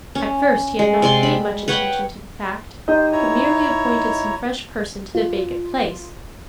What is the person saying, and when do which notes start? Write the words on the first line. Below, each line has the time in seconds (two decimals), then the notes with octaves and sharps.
At first he had not paid much attention to the fact, but merely appointed some fresh person to the vacant place.
0.15 C#4
0.79 G#3
1.02 C3 D5 C6
1.23 B5
1.68 B4 C#5 F#5 G5
2.88 D#4 G4 C5 D#5
3.12 E4 C#5 A#5
5.15 F4